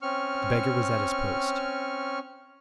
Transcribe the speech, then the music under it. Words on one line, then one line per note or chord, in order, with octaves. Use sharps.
The beggar was at his post.
C4 C#4 C#6 F6